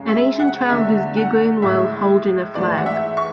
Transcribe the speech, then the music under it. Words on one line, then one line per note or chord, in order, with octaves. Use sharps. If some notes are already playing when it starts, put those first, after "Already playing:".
An Asian child is giggling while holding a flag.
Already playing: F#2 C#3 G#3
E5
F#5
E2 D3 A3 E5
F#5
A2 G#3 E5
G#2 E3 A3 D5
F#5
E5
C#6